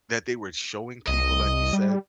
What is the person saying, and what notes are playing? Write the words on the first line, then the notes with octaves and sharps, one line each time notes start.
that they were showing people, like you said,
C2 D#5
G3